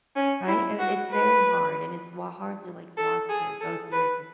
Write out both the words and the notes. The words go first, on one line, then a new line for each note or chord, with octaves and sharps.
Right? Uh, it's very hard, and it's wa hard to, like, watch her go through it 'cause
C#4
E4
F#4
B4
A4
G#4
A4
B4